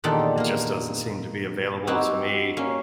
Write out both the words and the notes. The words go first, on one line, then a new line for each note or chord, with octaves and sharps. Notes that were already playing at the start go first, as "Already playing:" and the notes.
it just doesn't seem to be available to me
E2 A#2 D#3 D4 G4 A4
A#3 A#4
C4 D#4 E4 F#4 G4
A#3 C#4